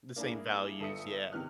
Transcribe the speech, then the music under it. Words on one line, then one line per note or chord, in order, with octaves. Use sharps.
The same values. Yeah.
A#3 D4 E4 G#4
G1 A4 E5 D#6 C#7
E2 C3 D#3 E3 F6 F#6